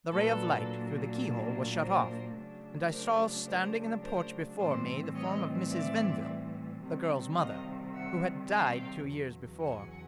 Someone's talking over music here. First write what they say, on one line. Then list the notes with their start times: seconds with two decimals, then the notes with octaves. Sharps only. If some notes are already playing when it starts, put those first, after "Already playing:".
The ray of light through the keyhole was shut off, and I saw standing in the porch before me the form of Mrs. Venville, the girl's mother, who had died two years before.
0.12 A#2 F#3 A#3 D4 A4 B4
1.79 A#4 C5
2.35 C#3 F#3 A3 D4
2.91 A#4 C5
3.47 A#4 C5
4.03 A#4 C5
4.59 A2 E3 G3 C4 C5 D5
5.14 C#5 D#5
5.70 D5 E5
6.82 C3 D#3 G3
7.38 D#5 F5
7.93 E5 F#5
8.49 F5 G5
9.05 E2 C#3 F#3
9.60 F#5 G#5